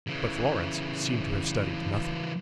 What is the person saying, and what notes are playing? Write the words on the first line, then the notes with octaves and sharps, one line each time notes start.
But Florence seemed to have studied nothing.
C#3 E3